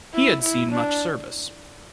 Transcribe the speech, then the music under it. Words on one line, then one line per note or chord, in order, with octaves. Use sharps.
He had seen much service.
E4
E4
D4